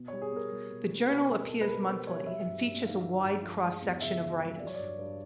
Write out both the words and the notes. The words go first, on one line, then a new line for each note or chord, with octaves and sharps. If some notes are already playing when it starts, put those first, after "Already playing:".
The journal appears monthly, and features a wide cross-section of writers.
Already playing: B2
G3 C#5
G#4
B2 A#4
G3
B2
G3
B2 B4
G3 A#4
B2 A4
B4
G3 A#4
B2 C5
G3 C#5
F#3 E5
G2
G2
D#3 F5
F#3
G2
F3
G#3
E2
C#3 E5
F3
G#3
F#3 D5
C#5
G2 D5
G2